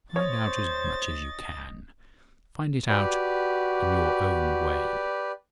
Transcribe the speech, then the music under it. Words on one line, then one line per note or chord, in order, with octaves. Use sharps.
"Find out as much as you can; find it out in your own way."
C5 C#5 D#5 A6
F#4 G4 B4 D5